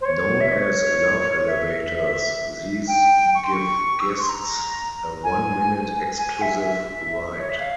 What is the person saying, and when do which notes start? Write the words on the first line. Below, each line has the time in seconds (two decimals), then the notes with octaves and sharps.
Known as Love Elevators, these give guests a one-minute exclusive ride.
0.01 C5
0.05 C#5
0.41 E5
0.52 C#5
1.47 E5
2.88 G5
3.35 C#6
3.44 C6
3.53 C#6
4.00 E6
4.10 C#6
4.20 C6
4.29 A#5
5.24 G#5
6.18 G#5
6.42 E5
6.65 E5
7.12 E5
7.40 C#5
7.49 E5
7.59 F5